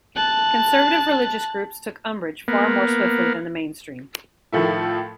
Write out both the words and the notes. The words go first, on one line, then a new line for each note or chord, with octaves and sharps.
Conservative religious groups took umbrage far more swiftly than the mainstream.
A5 F#6
A#3 B3
A2 D#3 F3 A3 E4